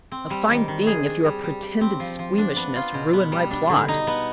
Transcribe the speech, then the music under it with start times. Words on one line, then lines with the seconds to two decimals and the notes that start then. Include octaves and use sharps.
A fine thing if your pretended squeamishness ruin my plot!
0.12 C4
0.30 G3
0.49 D#3
0.68 D#3
0.87 G#4
1.06 D4
1.25 G3
1.43 G3
1.62 G4
1.81 C4
2.00 F3
2.19 F3
2.38 D4
2.56 B3
2.76 F4
2.94 B2
3.13 B3
3.32 G3
3.51 D4
3.70 D3
3.88 D#4
4.07 B3